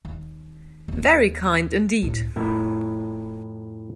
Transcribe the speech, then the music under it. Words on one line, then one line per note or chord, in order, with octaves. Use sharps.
Very kind indeed.
D#2
D#2 C4
C#2 A2
F2 A2 E4 A#4 E5